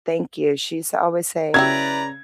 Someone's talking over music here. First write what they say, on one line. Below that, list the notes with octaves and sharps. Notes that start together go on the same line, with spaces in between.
Thank you. She used to always say,
C#3 F#3 E4 G4 B4 D5 A#5 G#6